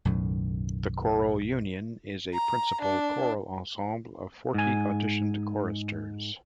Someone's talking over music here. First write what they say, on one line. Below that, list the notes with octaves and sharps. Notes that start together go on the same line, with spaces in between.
The Choral Union is a principle choral ensemble of forty auditioned choristers.
B1 F#2 A2 D#3
A#5
D4
G#2 G#5